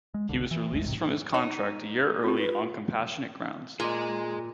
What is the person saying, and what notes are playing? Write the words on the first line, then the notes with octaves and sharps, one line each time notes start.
He was released from his contract a year early on compassionate grounds.
G#3
G1 C2 D3
E3
G#1 D#2 G#3 A3
E1 C2 G#2 C3
D#4 C#5
C4 F4 G4
B4
A#2 G#4 D#5